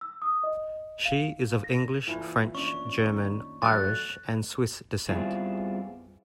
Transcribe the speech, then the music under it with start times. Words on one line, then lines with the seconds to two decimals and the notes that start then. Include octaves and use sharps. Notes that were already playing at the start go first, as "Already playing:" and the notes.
She is of English, French, German, Irish and Swiss descent.
0.01 E6
0.22 D#6
0.43 D#5
1.05 F5
1.64 A#6
2.07 A#2 E3 A3
2.55 C#4 D4 C#6
3.00 D#3
3.62 F#3 A3 D4 F#6 A6
5.09 G3 B3 C4 E4 F4 G#4